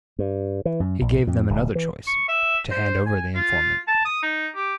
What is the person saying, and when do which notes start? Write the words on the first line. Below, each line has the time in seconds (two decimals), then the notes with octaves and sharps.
He gave them another choice: to hand over the informant.
0.19 G2
0.65 E3
0.80 F#2
1.01 A#1
1.27 F2
1.50 D1
1.75 E3
2.07 C#6
2.28 E5
2.71 C5
3.07 G#5
3.36 F4
3.88 A5
4.05 D#6
4.23 D#4
4.55 G4